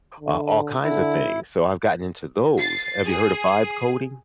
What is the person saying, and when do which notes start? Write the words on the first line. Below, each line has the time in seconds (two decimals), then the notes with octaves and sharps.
a all kinds of things. So, I’ve gotten into those. Have you heard of vibe coding?
0.20 D3
0.84 D3 E4
2.59 A6 C7
3.06 G#4 C7